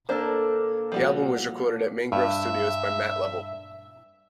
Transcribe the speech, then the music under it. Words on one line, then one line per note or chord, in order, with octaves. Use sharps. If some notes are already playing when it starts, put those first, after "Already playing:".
The album was recorded at Mangrove Studios by Matt Lovell.
A#3 D4 A4 C5
F3 G3 F#4
G2 E5